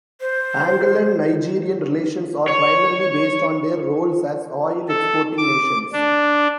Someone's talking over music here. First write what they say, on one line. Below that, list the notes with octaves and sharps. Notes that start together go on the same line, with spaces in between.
Angolan-Nigerian relations are primarily based on their roles as oil exporting nations.
C5
C#5
A4
D6
D4